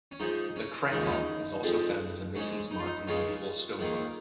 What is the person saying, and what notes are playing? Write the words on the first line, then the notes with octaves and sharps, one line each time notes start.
The "crampon" is also found as a mason's mark in medieval stonework.
C#4
G#2 F3 G#3 D#4
C#4
D#2 C#3 F3 G#3 D#4
C#4
D#4
F2 F3 G#3
G#2 G#3 C#4
D#4
F4
D#4
C#2 C#3 G#3 C#4 F4
G#2 D#3 A#3